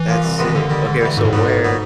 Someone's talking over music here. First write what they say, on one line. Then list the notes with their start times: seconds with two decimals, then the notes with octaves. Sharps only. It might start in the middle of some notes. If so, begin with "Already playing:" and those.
That's sick. Okay, so where
Already playing: E3
0.08 F3 A#3
0.24 C2
0.38 C3 D#3 G#3 B3
0.55 D#2 D3
0.70 D#3 G3
0.85 G#2
1.01 E3 G3
1.17 D2 G#2
1.25 A2
1.33 G#2 D3 F#3 B3
1.48 A2
1.65 F#3 B3